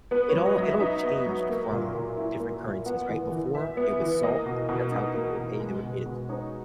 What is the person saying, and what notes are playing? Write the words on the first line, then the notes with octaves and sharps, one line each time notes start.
it all it all changed from different currencies, right? Before it was salt, that's how people were paid, they were paid in salt,
B3 B4
C#5
F#3
D#5
F#3 E5
D#4 E5
B3
F#3
A#3
A#2
A#2
E4
A#3
A#2
B3 F#5
E3
E3
E4 E5
B3
E3
A#3 D#5
B2
B2
D#4
A#3
B2
G#3
B2
B2
D#4 C#5